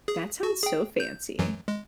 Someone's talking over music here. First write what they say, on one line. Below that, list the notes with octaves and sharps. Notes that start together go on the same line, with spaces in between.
That sounds so fancy.
G#4
F#4
G#4 G5
G6
F#2 E3 F#3
G#3